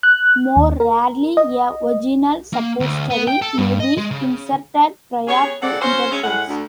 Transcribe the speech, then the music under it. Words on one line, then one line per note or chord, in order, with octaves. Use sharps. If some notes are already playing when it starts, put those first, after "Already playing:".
More rarely, a vaginal suppository may be inserted prior to intercourse.
F#6
D#2
A#4
D#5
A#3
D2
B3
G5
A4
G2
D#5
G#3
C#3
B3 C#4 G4 G#4 C#5
C#3 G#3 C4 A4 D5 F#5
C#4 F#4 C5
C#3 G#3 C4 C#4
A2 G#3 F#5
D2